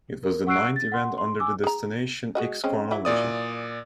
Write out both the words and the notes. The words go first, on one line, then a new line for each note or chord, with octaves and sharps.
It was the ninth event under the Destination X chronology.
A#4
F#5 C#6 E6 F#6 C7 D7
A6
F#5 C6
C6
G#5 D6 E6
G#4 A#5
G#3 F#4 D#5
G#3 C4 C#4
E3 F#3 E4
A#2 D5 D#6